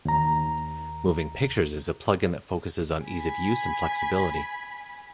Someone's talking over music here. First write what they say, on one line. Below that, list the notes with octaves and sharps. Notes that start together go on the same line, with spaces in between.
Moving Pictures is a plug-in that focuses on ease of use and flexibility.
D#2 A#5
G#5 B5